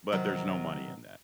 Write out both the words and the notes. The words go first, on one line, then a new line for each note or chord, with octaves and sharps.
but there's no money in that."
C3 D#3 F#3